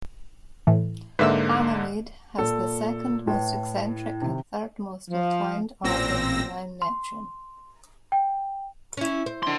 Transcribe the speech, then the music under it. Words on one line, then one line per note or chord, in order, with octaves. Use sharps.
Halimede has the second most eccentric and third most inclined orbit around Neptune.
A2 E3
G#2 D3 A#3 B4 E5 E6
A#2 A4
A2 E4 B4
C3 D#3
F3
A1 A#2 C4 E6 A#6
C6
G5
C#4 E4
C5
D4 C6